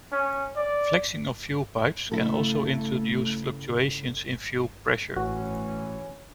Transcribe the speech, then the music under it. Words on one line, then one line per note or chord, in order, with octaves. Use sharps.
Flexing of fuel pipes can also induce fluctuations in fuel pressure.
C#4
D5
C#3 A3 E4 A4
A1 E3 C#4 F#4